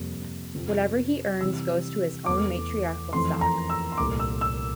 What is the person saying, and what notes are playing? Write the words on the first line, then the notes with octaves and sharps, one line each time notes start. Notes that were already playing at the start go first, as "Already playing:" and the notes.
Whatever he earns goes to his own matriarchal stock.
Already playing: F2 C3 G3 A#3
F2 C3 F3 C4 F4
C3 E3 G3 E6
E2 E3 A3 D6
F2 E3 A3 C4 C6
A#5
E6
C6
C2 A#2 A3 D6
E6
E6